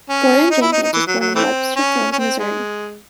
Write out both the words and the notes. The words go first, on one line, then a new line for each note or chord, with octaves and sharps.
Gordon Jenkins was born in Webster Groves, Missouri.
C#4
D#4
E4
D#4
D#4
E3
F#3
F#3
E3 A3 C4
C#4
C#4
C4
G#3